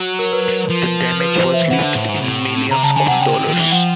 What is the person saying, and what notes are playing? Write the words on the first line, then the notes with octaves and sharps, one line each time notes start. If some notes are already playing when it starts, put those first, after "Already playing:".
The damage was listed in millions of dollars.
Already playing: F#3
A#4
B4
A#4
F3
B4
C5
E5
E3 F#5
D3
A2
G#2
A2
C3 A#5
C#3 A5
D3 G#5
C3 F#5
C#3 G5
D3
D#3
F3
E3
F3 F#5